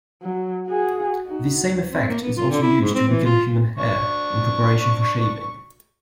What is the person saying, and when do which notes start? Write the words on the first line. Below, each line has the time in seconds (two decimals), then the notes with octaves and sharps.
This same effect is also used to weaken human hair in preparation for shaving.
0.22 F#3
0.67 F#4 G#4
1.26 D#4 F#4
1.90 C4
2.09 A#3
2.21 B3
2.37 F4
2.50 D3
2.62 E4
2.82 G#2
2.95 C4
3.09 E3
3.25 F4
3.78 D4 C#6